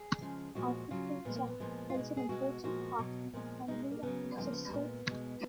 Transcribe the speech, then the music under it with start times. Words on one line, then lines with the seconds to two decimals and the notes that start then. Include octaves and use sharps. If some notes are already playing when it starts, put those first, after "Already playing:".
Agriculture plays an important part in the economy of Rochester.
Already playing: G#4
0.21 C#3 F3 G#3
0.55 A#2 F3 G#3 F#4
0.91 C#3 F#3 F4
1.25 A#2 F3 G#3 B3
1.36 A#3
1.47 B3
1.60 A#2 F3 G#3
1.90 F4
1.95 B2 G#3 D#4
2.17 G#4
2.29 B2 G#3 F#4
2.64 A#2 F3 G#3 F#4
2.99 B2 F#3
3.33 A#2 F3 G#3
3.68 B2 G#3 D#4
3.91 A#3
4.03 C#3 F#3 B3
4.37 C#3 F3 G#3 B3
4.45 A#3
4.52 B3
4.72 A#2 G#3
5.06 B2 G#3